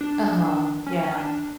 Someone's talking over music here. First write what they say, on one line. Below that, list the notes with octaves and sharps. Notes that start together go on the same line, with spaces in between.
uh-huh, yeah
D4
C#4
C#4
D4